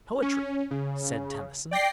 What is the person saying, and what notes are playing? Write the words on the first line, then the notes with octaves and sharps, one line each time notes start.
"Poetry," said Tennyson.
C#4
C#3
D5 G5 A#6 C7